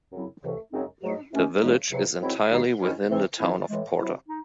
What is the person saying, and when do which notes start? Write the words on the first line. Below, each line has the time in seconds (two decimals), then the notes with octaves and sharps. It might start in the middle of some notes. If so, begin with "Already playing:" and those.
The village is entirely within the town of Porter.
0.12 F#2 C#3 F#3 C4 E4
0.43 C#2 C3 E3 A3
0.72 F#2 C#3 G#3 C4 D#4
1.02 G#2 F#3 A3 D#4
1.32 C2 C3 D#3 A3 C#4
1.61 C#3 E3 G#3 D#4
1.91 E2 C3 F#3
2.21 G#2 D#3 F#3 C4 E4
2.50 D#2 D#3 G#3 D#4
2.81 G#2 D#3 F#3 C#4 E4
3.10 C3 E3 C4
3.40 G#2 E3 C4 E4
3.69 A2 E3 G#3
3.99 C3 F#3 C4 E4
4.29 D#4